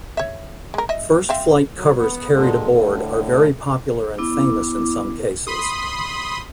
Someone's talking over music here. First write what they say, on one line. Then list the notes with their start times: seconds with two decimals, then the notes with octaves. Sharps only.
First flight covers carried aboard are very popular and famous in some cases.
0.17 C#5 E5
0.74 G#3 A#4
0.89 D#5 E5
1.29 C4 E5 F5
1.77 F#3
1.98 B3
2.34 G2 A#2 D3 G#3
2.71 A2 D3
4.18 B3 E4 D6
5.47 B5 C6 D#6